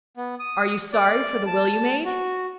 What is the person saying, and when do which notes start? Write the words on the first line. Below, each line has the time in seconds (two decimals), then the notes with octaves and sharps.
"Are you sorry for the will you made?"
0.17 B3
0.39 D#6
0.93 D5
1.47 A5
2.05 F#4